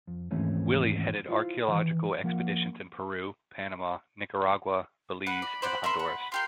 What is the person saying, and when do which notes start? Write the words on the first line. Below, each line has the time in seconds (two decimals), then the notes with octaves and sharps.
Willey headed archaeological expeditions in Peru, Panama, Nicaragua, Belize and Honduras.
0.07 F2
0.31 D#2 G#2 E3 A3 C4 C#4
1.26 E4 F4 C5
1.68 D#3 E3
2.24 F3 A#3 A#4 F#5
5.27 F#5 B5
5.42 D5
5.62 C5 D5 F#5
5.84 A#4 E5 C6
5.99 F#5
6.32 F4 G4 A#4 C6